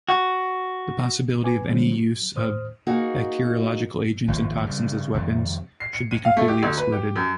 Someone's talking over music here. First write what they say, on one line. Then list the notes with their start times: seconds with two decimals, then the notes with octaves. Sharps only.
The possibility of any use of bacteriological agents and toxins as weapons should be completely excluded.
0.09 F#4
1.43 B4 G#5 D6
1.70 D3 F3 G3 G#3 C4 C#4
1.92 F#3
2.35 D#2 A2 C5 D#6 F6
2.87 A#3 D#4 F#4 G#4
4.28 G#1 D#2 C3 F3
4.66 C#3 G3
5.14 F2 C3 D#3 G3
5.80 C7
5.93 C#7
6.11 D#7
6.25 F5
6.37 A3
6.48 G4
6.63 D2
6.77 B4
6.92 G4
7.16 F#2